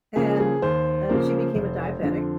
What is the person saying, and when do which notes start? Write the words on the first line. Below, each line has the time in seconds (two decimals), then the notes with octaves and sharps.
and, uh, she became a diabetic.
0.16 C#3 F3 A#3 G#4
0.40 G#4
0.62 D#2 C5
1.09 C#3 F3 A#3
1.56 F1
2.02 F2 D3 F3